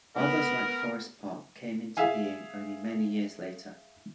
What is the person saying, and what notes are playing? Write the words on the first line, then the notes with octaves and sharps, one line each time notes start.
Others like Forest Park came into being only many years later.
B3 A#4
G#4 E5 F5 G#5